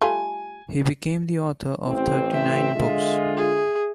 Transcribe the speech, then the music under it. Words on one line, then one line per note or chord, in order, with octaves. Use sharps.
He became the author of thirty-nine books.
G3 A3 F4 G#5
A1 C4
E5
D3 G#3 F4
G#4